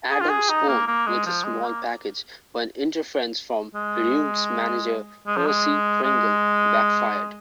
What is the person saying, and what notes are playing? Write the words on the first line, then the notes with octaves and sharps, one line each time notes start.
Adams won with a small package when interference from Rude's manager Percy Pringle backfired.
G#4
F4
G#4
D#4
A#3
A#3
G#3
F3
G#3
A#3
G#3
G#3
F3
G#3
G#3